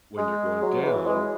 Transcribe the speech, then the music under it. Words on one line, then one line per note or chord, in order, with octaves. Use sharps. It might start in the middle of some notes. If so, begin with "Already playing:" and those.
When you're going down,
G#3
F#3
E3
G#3